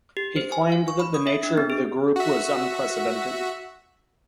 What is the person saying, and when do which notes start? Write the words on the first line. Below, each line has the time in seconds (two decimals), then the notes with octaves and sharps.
He claimed that the nature of the group was "unprecedented".
0.17 G4
0.36 C5
0.52 G#5
0.72 F5
0.88 C#6
1.00 B5
1.14 D#6
1.27 E5
1.43 D4
1.57 B3
1.70 G#4
2.16 F#4 E5